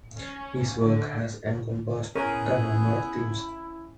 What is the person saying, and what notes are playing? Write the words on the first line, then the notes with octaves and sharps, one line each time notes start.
His work has encompassed a number of themes.
C#4
D3
B3 C#4 E4 G#4 A#4